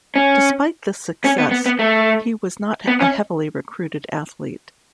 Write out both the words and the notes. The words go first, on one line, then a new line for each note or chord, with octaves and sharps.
Despite this success, he was not a heavily recruited athlete.
C#4
C#4
B3
B3
B3
A3
B3
C#4